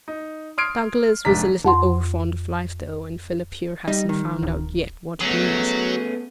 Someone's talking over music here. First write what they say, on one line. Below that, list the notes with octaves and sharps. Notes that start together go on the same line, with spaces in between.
Douglas was a little overfond of life, though, and Philip here hasn't found out yet what it means.
D#4
C6 D#6 F6 G#6 C7 D7
F1 G#2 D4 A#5 B6
F2 F#5 C6
G3 D#4
D#3
D1
F#3 A3 B3 C#4 G#4